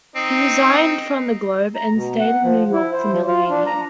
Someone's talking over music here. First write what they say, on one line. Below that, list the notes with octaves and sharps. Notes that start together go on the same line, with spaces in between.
He resigned from "The Globe" and stayed in New York for nearly a year.
C4 D#4
A#5
B2
F#5
F3
E4
C5
F3
F4
D4
A#5